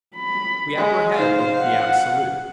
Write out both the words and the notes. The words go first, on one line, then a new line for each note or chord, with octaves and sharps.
We apprehend the absolute.
B5
G#3
D#4 C5 F5
F#5